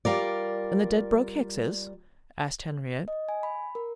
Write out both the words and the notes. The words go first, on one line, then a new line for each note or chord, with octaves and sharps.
"And the Dedbroke-Hickses?" asked Henriette.
G3 F4 A#4 D5
D#5
G#5
B5
A#4